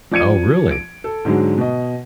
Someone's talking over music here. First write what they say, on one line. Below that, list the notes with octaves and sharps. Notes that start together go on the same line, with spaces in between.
Oh, really?
F3 D5 G#6 C#7 D#7
D7
A4
G#2 D3 F#3 G#3
B2 D#5